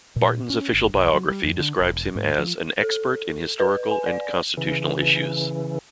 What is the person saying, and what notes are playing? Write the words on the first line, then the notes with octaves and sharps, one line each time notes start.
Barton's official biography describes him as "an expert in historical and constitutional issues".
A#2
C#4
G1
B1
F#3
G3
F2
D3
E1
G#2
F3
A4
B4
G#5
D5
C#3 E3